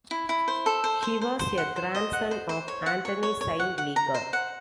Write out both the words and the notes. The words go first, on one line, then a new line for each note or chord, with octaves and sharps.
He was a grandson of Anthony Saint Leger.
E4
E4
C5
A4
C5
C5
C5
C5
F#5
C5
D#5
F#5
C5
C5
C#5
F#5
C#5
C#5
C#5
F#5
F#5
A#5
C5
F#5